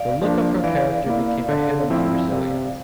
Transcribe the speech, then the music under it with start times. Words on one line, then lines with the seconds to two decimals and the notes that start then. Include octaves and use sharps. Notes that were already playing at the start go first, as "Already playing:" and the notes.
The look of her character became a hit among Brazilians.
Already playing: D5 F5
0.21 F3 A#3 D4
0.64 E3 D5 F5
1.06 A#3 E4
1.48 D3
1.90 F3 C4 E4
2.32 C3